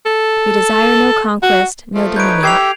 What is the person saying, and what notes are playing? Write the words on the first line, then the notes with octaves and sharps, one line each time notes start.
We desire no conquest, no dominion.
A4
F#4
F3 A3
D#4 B4 C#5 G6 D7
G4 A4 E5 G#6 C7 F7